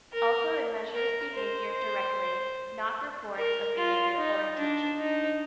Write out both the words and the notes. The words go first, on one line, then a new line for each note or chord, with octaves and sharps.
Also it measures behavior directly, not reports of behavior or intentions.
A#4
A#4
C5
A#4
F4
D#4
D4
D#4